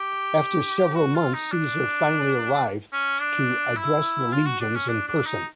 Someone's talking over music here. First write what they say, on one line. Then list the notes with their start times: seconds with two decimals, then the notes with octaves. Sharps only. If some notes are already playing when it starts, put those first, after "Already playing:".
After several months, Caesar finally arrived to address the legions in person.
Already playing: G4
0.96 F#4
1.15 F4
1.33 D#4
1.52 D4
2.93 C#4
3.20 D4
3.77 E4
4.32 F4
4.46 F#4
4.60 D4
4.75 C#4
4.88 D4
5.07 D4
5.26 D#4